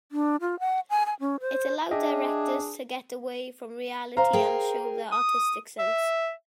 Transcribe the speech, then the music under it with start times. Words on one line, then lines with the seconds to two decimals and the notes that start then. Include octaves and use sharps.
It allowed directors to get away from reality and show their artistic sense.
0.12 D4
0.41 F4
0.60 F#5
0.90 G#5
1.06 G#5
1.20 C#4
1.41 C5
1.91 D4 G#4 D#5 E5 G5
4.17 C5 F5 A#5
4.33 G#4 A#4 G5
5.12 D#6
5.79 E5